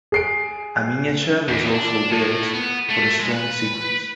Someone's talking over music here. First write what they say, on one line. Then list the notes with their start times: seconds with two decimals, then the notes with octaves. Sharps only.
A miniature was also built for the storm sequence.
0.12 G#4 C7 D7
1.48 E2
1.74 D4
2.11 A2
2.54 B3
2.89 A3
3.20 G#3
3.32 B4